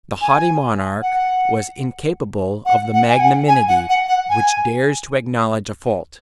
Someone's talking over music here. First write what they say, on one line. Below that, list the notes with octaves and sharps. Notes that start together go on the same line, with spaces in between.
But the haughty monarch was incapable of the magnanimity which dares to acknowledge a fault.
G#5
F#5
F#5
F#5
G#5
F#5
G#5
F#5
F#5
F#5
G#5